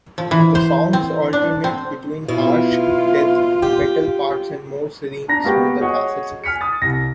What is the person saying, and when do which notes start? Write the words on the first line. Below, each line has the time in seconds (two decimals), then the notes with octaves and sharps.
The songs alternate between harsh death metal parts and more serene, smoother passages.
0.18 F3
0.31 E3
0.55 C5
0.93 C4
1.33 D4
1.64 C4
2.28 B2 E4 F4
3.62 G4
5.28 D4 A#5 A#6
5.43 G#3 A#3 B3 F#4 G4 G5
5.80 F#4 G#4 C#5 D#5 F#5
6.44 G#5 F6 B6 C#7
6.61 D#6 A6
6.81 C2 A#6